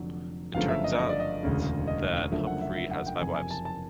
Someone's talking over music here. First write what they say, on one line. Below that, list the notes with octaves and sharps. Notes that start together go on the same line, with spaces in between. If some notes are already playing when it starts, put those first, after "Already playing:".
It turns out that Humfrey has five wives.
Already playing: F1 F2 D3 F#3
G1 F#2 C#3 F3 A3 F5
E5
D#5
D#5
D5
D#5
E1 D2 C#3
D#5
F#1 F#2 D3 F3 A3 E5
F#5
E5
E5
F#5
G5
F#1 F2 C3 G#5
G#5
A5
A5